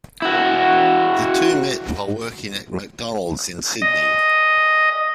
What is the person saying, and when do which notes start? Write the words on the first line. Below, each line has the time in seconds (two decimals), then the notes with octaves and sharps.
The two met while working at McDonald's in Sydney.
0.22 E4 F#4
3.82 D#5